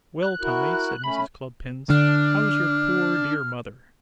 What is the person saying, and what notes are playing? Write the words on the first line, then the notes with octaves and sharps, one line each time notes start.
'Well, Tommy,' said Mrs. Cluppins, 'how's your poor dear mother?'
F#6
E4 F#4 A#4
A3 C#4 B5
D3 D4 F6